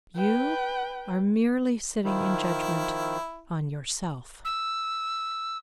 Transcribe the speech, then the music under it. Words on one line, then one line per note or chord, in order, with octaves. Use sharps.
You are merely sitting in judgment on yourself. ...
B4 G5
D#3 F3 E4
E6